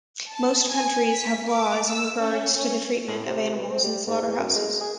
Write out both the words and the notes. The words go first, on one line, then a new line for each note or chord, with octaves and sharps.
Most countries have laws in regard to the treatment of animals in slaughterhouses.
A5
G#5
B6
D6
E6
C#4
C#4
A2
C3
B2
C4
G3
G#2
E2
F#2
G#3
G#4